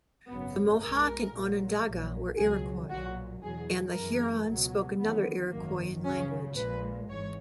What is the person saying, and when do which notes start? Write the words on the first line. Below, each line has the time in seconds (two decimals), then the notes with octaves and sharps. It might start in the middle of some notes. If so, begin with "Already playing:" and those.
The Mohawk and Onondaga were Iroquois, and the Huron spoke another Iroquoian language.
0.28 G#1 F#2 C#3 F#3 B3
0.80 B1 B2 G#3 A#4
1.32 A#1 A#2 F#3
1.84 A#1 A#2 F#3
2.37 C#2 B2 F#3 G#4
2.90 B1 A#2 F#3 F#4
3.42 E2 B2 F#3 G#4
3.94 F#2 E3 G#3 A#4
4.46 C#2 B2 F#3
4.99 E2 D#3 F#3 B3
5.51 G#1 F#2 D#3 F#3 A#3
6.04 C#2 C#3 F#3 C#4
6.56 A#1 A#2 G#3 B4
7.08 G#1 G#2 E3 C#5